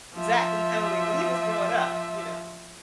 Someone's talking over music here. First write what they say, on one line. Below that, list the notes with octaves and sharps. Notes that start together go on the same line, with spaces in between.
Zack and Cody," when he was growing up, you know?
F3 E5